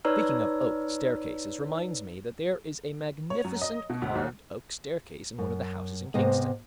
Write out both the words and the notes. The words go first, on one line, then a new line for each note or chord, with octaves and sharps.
Speaking of oak staircases reminds me that there is a magnificent carved oak staircase in one of the houses in Kingston.
D#4 B4 C#5 D5 A#5 E6
C#5
F#2
D#5
B2
D2
D#2
F#2
G#2 C3 B3 D#5